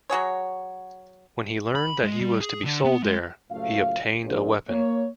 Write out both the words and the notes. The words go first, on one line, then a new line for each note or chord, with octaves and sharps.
When he learned that he was to be sold there, he obtained a weapon.
F#3 F#4 G#4 C#5
B5
G#3
G3
G#4
D3
B3
G#3
F#1 F#2 A2 A3 F4 F5
A#1 A#2 C5
A#3 C#5